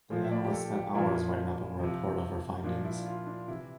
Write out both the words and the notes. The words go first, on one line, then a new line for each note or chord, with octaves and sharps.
The analyst spent hours writing up a report of her findings.
A#2 F3 C5
E5
D5
G4
A4
G4
A#2 F3 E4
C3 F3
A#2 F3 D4
E4
F4
D4
C3 E3 E4